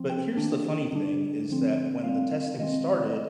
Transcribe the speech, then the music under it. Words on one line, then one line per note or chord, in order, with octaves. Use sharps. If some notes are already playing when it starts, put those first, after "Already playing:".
but here's the funny thing, is that when the testing started,
Already playing: F3 C4
G5
D#3 A#3 D4
D3 G3 D4
D3 F3 C4
G3 C4 F5
F5
D#3 G#3 C4 D#5